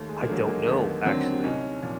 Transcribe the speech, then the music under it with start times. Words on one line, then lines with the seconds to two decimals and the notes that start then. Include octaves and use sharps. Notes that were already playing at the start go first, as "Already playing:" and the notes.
I don't know, actually.
Already playing: D#2 A3
0.09 G#3
0.22 A#3
0.28 D3 F#3 A3
0.47 G#3 A#3
0.67 D#2 A3 B3
1.05 D3 F#3 C4 D4
1.43 C2 C#4 D#4
1.82 A#2 F3